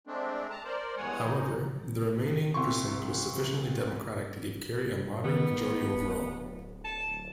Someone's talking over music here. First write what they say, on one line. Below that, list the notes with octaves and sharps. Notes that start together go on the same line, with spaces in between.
However, the remaining precinct was sufficiently Democratic to give Kerry a moderate majority overall.
G#3 A3 C4 D4
A5 A#5
A#4 C5 D5
E2 G2 G#3 C#5 F#5 G#5
G#3 D#4
C2 E4 C6 C#6
D#3 B3
D1
A5